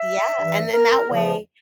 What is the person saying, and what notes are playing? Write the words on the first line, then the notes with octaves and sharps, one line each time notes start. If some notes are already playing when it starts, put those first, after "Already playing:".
Yeah, and then that way
Already playing: E5
G2 E3
A#4
E2 C#3 F3